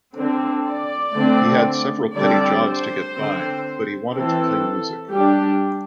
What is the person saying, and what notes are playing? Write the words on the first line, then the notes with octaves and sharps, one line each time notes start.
He had several petty jobs to get by, but he wanted to play music.
D3 C4
D5
D3 A3 C4
D3 G3 C4 D5
C5
D3 C4
E3 C4 A4
G3 G4
D4